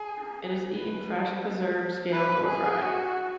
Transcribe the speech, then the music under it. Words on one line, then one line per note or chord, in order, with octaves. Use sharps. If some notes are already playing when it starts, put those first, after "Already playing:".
It is eaten fresh, preserved, scalded or fried.
Already playing: G#4
B4
B4
G#4
F#4